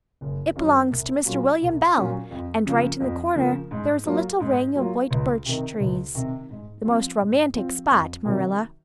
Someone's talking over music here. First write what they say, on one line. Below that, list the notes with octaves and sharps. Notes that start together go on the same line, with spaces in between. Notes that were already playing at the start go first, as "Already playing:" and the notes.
It belongs to Mr. William Bell, and right in the corner there is a little ring of white birch trees--the most romantic spot, Marilla.
F#1
F#2 D#3 F#3
C2
A#2 F#3 C#4 F4
C2
A#2 F#3 C#4 F4
F2
C#3 F3 A#3
F2
C#3 F3 A#3
G#2
F#3 A#3 F4
G#2
F#3 A#3 F4
C#2
C3 D#3
C#2
C3 D#3
G#2
F3 C4 F4
G#2
F3 C4 F4
F2
C3 D#3 F#3